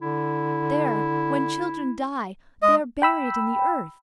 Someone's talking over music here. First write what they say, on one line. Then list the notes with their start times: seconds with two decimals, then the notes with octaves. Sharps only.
There, when children die, they are buried in the earth.
0.02 D3 E4
2.62 G#3 D#5
3.02 G5 B5 E6